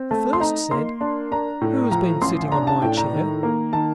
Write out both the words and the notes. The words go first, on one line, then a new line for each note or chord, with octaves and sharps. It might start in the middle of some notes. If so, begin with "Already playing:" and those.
The first said, "Who has been sitting on my chair?"
Already playing: C4
A3 A5
C6
D#4 A#5
A#3 C6
D4
D4 A#5
A2
F3 A#5
A1 C6
D4 A#5
A5
A2 G5
A#5
D#3
A#3
D#3 A5